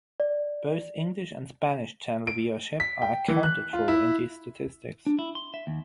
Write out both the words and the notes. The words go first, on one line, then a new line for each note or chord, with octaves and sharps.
Both English and Spanish channel viewership are accounted for in these statistics.
D5
D7
B6
G5
E3
F#6
F4
E4
D4
E4
C6
E5
D#2